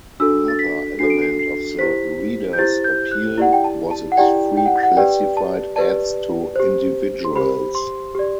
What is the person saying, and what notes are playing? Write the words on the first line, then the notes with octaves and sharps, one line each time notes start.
Another element of the "Reader"'s appeal was its free classified ads to individuals.
D4 F#4 A4 E6
A6
B6
D4 F#4 A4 C7
D7
C7
C7
E4 G4 C5 B6
G6
E4 G4 C5 A6
G6
F#6
E4 G4 D5 F#5
G5
A5
A5
F#5
E4 G4 D5 G5
G5
F#5
F#5
G4 B4 D5 G5
A5
G4 B4 D5 A5
G4 C5
C6
G4 C5 B5
C6
G4 D5